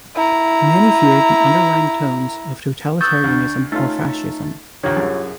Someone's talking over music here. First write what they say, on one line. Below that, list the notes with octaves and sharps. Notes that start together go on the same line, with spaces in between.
Many feared the underlying tones of totalitarianism or fascism.
E4 A#5
C#6 D#6 E6 F#6 G6 A6
D2 D3
A3 C#4 D#4 F4
D2 D#3 F4 G4 C#5
C2 F#2 G#4